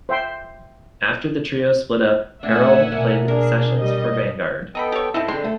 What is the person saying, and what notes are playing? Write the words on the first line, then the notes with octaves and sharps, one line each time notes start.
After the trio split up, Herald played sessions for Vanguard.
C5 E5 G5 C6
A#2 A3 D4 E5 F#5 G#5
B2 A#3
A#3 D4 G#4 A#4
G3 D#5
B3 A4 D#5 G5 A#5 B5
G4 C#5
G#2 C4 D#4 E4 A4
D3 G#3 C4 D4 G5 C6
A3